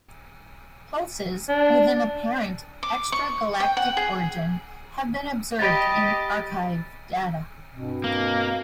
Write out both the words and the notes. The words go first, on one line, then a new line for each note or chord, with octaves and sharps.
Pulses with an apparent extragalactic origin have been observed in archived data.
D4
D6
C#6
G5
F#5
G#4
G4 D#5 B5 A6
G2 B2 C4
A#3